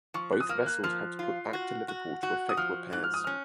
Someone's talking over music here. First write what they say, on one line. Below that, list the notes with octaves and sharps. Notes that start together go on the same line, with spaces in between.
Both vessels had to put back to Liverpool to affect repairs.
F3 C#6
F#6
D#6
A#3 F6
F#6
F3 F6
F4
F#4
F#4
F#4 F#6
D#6
F3 F6
G#2 F#6
F6
D#6
C#4 F6